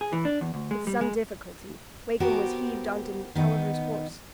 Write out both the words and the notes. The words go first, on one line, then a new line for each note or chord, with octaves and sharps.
With some difficulty, Wakem was heaved on to Tulliver's horse.
G#4
E3
D4
E2
D2
G#3
G3
G#3
B3 F#4 G4 A#4 C5
D#3 B3 D#4